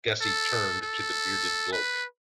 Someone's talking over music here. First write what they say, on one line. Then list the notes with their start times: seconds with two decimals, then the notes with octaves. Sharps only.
Gussie turned to the bearded bloke.
0.21 A4
0.82 A4
1.72 B4